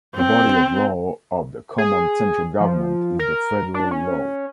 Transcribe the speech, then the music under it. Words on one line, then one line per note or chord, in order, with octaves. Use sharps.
The body of law of the common central government is the federal law.
C4
G#4
F3
A#4
D4
C#4